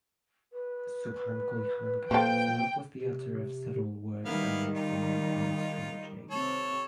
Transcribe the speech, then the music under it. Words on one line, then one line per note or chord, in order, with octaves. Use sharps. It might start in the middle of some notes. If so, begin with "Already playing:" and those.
Subhan Quli Khan himself was the author of several works on medicine and astrology.
B4
A#2 F3 A4 G5
C3
D#3 G3 B3 E4 F5
D#4 F4
C3 A4 C#5